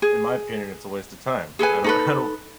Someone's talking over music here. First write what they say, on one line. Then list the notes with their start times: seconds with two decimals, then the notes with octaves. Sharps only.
in my opinion, it's a waste of time, I don't I don't
0.02 G#4
1.59 G#4 A4 B4 G#5
1.84 D#4 A4 B4